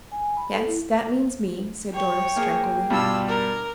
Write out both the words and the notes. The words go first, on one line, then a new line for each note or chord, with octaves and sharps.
"Yes, that means me," said Doris, tranquilly.
G#5
B5
A4
E4
C#5 G5
A#3 G#4
G2 B2 G3 F4 E6
A#4